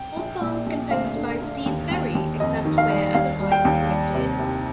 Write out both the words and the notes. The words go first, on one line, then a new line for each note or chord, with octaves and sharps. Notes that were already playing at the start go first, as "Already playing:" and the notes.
All songs composed by Steve Perry, except where otherwise noted.
Already playing: G5
A#1
A#2
A#1
D2 F5
D3
D3
D#2
D#2
D#2
F2 D#5
D#3
F5
G3
D#2 F5
G3
G5
D#2
G3
C3
C2